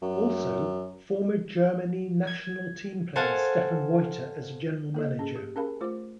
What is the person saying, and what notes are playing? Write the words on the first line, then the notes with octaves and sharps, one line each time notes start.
Also, former Germany national team player Stefan Reuter as a general manager.
F#2
G#6
A4 C5 F5 F#5 G#5 A5
A#3 A4 D#5
C#4 G#4
G4
C#4 G#4 A#4 F5 G#5 B5
A3 F4 C5 D6